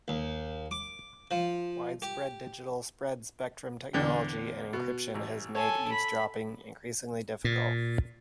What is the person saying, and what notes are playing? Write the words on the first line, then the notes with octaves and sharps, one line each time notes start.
Widespread digital spread spectrum technology and encryption has made eavesdropping increasingly difficult.
D#2
D6
F3
G4
E2 D3 G5
B2
A1
A4 C#5 G#5
B5
A#2